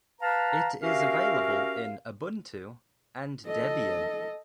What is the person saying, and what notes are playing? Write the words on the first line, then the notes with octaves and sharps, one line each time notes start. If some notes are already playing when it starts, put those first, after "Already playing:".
It is available in Ubuntu and Debian.
B4 F5 A5 A#5
C#4 F#4 G4 A#4 E5 F5
A4 D#5